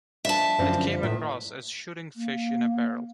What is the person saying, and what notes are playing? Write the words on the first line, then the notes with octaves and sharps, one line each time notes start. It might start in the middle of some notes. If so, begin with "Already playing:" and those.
It came across as shooting fish in a barrel.
F2 D4 E5 A5
F#2 D3 F3 C4
E2 A2 E5
A#3